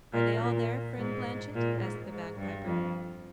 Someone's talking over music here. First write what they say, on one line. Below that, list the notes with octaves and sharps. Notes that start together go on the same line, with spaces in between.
'Are they all there, friend Blanchet?' asked the bagpiper.
A#2
A#2
G#2
A#2
G#2
G#2
G2
F2